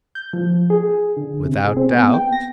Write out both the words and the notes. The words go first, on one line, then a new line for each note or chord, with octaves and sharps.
"Without doubt."
G6
F3
G#4
D3
C3
G#4
C4
B3
G5
A#6